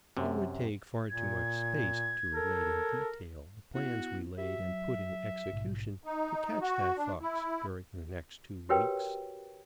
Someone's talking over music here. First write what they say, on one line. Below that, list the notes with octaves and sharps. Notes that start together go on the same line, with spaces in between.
It would take far too much space to relate in detail the plans we laid and put in execution to catch that fox during the next two weeks.
F#2 C3
A#2 G#6
A4 A#4
B3 E4 F#4
F#4 G4 E5
F#3
A#1 G#2 B2
D#4
F#4
D4
E4
F#4 G4 A#4 B4 C#5 G5